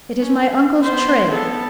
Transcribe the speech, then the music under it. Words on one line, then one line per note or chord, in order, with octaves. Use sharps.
"It is my uncle's trade."
C#4
B3 C5
B3 A4